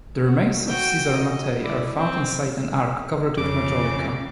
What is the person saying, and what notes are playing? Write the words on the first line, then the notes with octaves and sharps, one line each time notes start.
The remains of Cesare Mattei are found inside an ark covered with majolica.
F#4
F#4 G5
D#5
E4 D5
C4
F2 C#3 D6